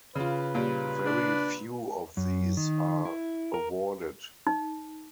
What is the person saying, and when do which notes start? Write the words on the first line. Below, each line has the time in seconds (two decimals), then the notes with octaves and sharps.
Very few of these are awarded.
0.15 C#3 F4 B4
0.55 A#2 G3
1.05 D4
2.17 F#2
2.57 D#3
3.05 E4
3.54 A#4
4.47 D#4